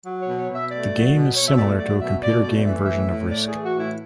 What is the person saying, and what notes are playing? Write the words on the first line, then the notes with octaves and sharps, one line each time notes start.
The game is similar to a computer game version of Risk.
F#3
C#5
B2
C#5
B2
E5
A3 D5
F#3
B2
B2 C#5
E5
A3 D5
F#3 D5
B2 E5
B2 D5
A3 D5
E3 E5
A2 E5
A2
A3 D5
E3 G#4
F#4
A2
E4